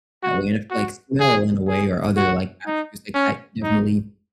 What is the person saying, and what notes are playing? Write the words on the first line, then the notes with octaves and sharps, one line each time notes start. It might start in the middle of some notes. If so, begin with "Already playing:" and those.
that way, and I feel like smell in a way or other, like, attributes like that can definitely
F#4
F#4
G#4
G#4
F#4
D#4
C#4
D#4